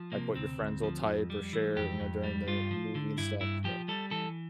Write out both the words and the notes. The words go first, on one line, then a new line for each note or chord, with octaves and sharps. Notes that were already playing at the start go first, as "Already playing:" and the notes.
like, what your friends'll type or share, you know, during the movie and stuff, so
Already playing: F3
C3 A#3
D2 C4
D2
F3
F2
G3
E3
F2 G4
F2
G3
G2 F4
F3
D3
G2 E4
G2 E4
F3 G4
G3 A4
E3 A4